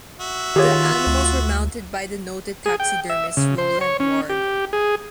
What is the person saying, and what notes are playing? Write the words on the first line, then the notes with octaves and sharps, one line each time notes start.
The animals were mounted by the noted taxidermist Rowland Ward.
F#4 E5
D#3 F4 G4 G#4 C#5
D2
G#4
G5
E5
C#3
C5
C#5
C#4
G4
G#4